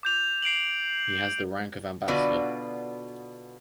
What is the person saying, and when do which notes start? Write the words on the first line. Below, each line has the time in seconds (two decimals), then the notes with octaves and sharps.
He has the rank of ambassador.
0.03 D6 G6 F7
0.42 C7 D7 F7 F#7
2.08 B2 D3 B3 F4 F#4 D5